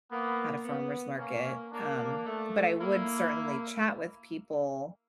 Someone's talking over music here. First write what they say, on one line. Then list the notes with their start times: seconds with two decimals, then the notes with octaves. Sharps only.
at a farmer's market, um, but I would certainly chat with people
0.11 A#3 B3
0.65 B3
1.18 A#3 C#4
1.72 A#3 D4
2.26 A3
2.80 A#3 E4